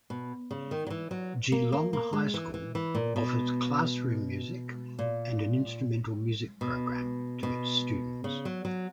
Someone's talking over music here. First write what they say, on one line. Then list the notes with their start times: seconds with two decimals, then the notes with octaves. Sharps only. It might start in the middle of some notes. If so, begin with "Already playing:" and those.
Geelong High School offers Classroom Music and an Instrumental Music program to its students.
0.10 B2
0.51 C#3
0.71 D#3
0.87 F#3
0.90 E3
1.11 F#3
1.52 A#3
1.72 A#3
1.93 A#3
2.13 G#3
2.34 E3
2.54 E3
2.75 E3
2.95 A#2
3.16 B2
4.99 A#2
6.61 B2
7.43 B2
8.24 C#3
8.45 F#3
8.65 F#3